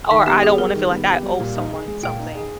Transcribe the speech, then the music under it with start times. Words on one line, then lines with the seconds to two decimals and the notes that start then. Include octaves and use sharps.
or I don't wanna feel, like, I owe someone something.
0.10 D#3 E5
0.26 B3 G4
0.43 G4 G#4
0.58 G3 A#4
0.75 D#3
0.91 B3
1.07 G4
1.23 G3
1.40 A#2
1.56 D#4
1.71 G#4
1.88 G#3
2.03 A#2 G5
2.19 D#4
2.35 G#4